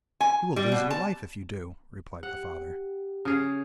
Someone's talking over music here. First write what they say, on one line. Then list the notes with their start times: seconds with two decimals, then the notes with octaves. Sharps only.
'You will lose your life if you do,' replied the father.
0.21 G#5
0.56 G3
0.72 B2
0.90 A5
2.23 G4 F#5
3.25 C#3 G#4 F5